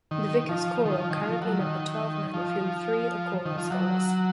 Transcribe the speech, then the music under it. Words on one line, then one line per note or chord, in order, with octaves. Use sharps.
The Vicars Choral currently number twelve men, of whom three are choral scholars.
D#3
F3
D#3
F3
D#3
F3
F#3
D#3
F3
D#3
F3
F#3